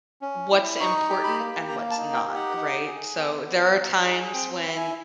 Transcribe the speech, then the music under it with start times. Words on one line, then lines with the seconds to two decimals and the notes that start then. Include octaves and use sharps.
what's important and what's not, right? So there are times when,
0.22 C#4
0.51 E4
0.80 D#4 C#6
1.09 G4
1.24 B5
1.39 A#3
1.68 A#3 A#5
1.91 A5
1.98 D#4
2.13 G5
2.27 G4
2.35 F#5
2.57 D#4
2.86 G#4
3.16 B3
3.46 B3
3.75 D#4
4.03 G#4
4.33 C4 G5
4.63 E4
4.77 G#5